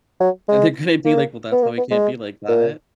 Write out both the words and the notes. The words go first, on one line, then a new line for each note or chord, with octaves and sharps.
And they're gonna be like, "Well, that's why we can't be like that."
F#3
G#3
A#3
B3
A#3
B3
G#3
A#2